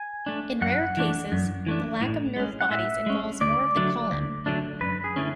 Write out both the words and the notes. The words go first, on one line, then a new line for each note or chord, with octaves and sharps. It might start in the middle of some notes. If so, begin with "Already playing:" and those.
In rare cases, the lack of nerve bodies involves more of the colon.
Already playing: G#5
A3 D4
F#2 F#5
E3 A3 D4
F#2
E3 A3 D4
A2
G#3 C#4
F#5
A2 E5
G#3 C#4
D2 D5
D3 F#3 A3 D4
D2
D3 F#3 A3 D4
F#2 B4
G#4
D3 A3 C#4 E4